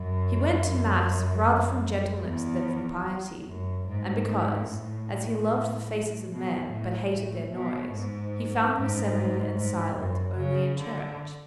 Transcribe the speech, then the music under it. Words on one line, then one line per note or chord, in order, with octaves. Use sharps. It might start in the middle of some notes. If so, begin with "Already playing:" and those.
He went to mass rather from gentleness than from piety, and because, as he loved the faces of men, but hated their noise, he found them assembled and silent only in church.
Already playing: F#2
E2
F#2
G#2
A2
B2
A2
A2
B2
G#2
G#2
G#2
F#2
C#3
D3